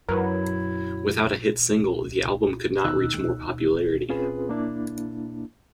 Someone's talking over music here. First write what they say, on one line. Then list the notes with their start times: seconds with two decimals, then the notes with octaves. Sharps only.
Without a hit single, the album could not reach more popularity.
0.09 F#2 F#3 E4 A#4 B4
2.84 D#2 B2 D#4 E6 F#6
4.09 C4 C#4 F4 G#4 B4
4.49 A#3 D4 E4